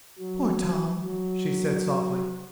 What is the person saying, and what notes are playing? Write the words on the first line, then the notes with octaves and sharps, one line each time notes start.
"Poor Tom!" she said softly.
F#3
F#3